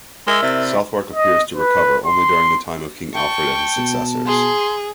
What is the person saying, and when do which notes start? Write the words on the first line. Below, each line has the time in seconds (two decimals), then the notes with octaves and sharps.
Southwark appears to recover only during the time of King Alfred and his successors.
0.27 G#3 A#4 E5 E6
0.43 C3 E4 D5 E5
1.14 D#5
1.56 B4
2.06 C6
3.14 G5 A5 C#6
3.77 B2
4.27 G#4 C6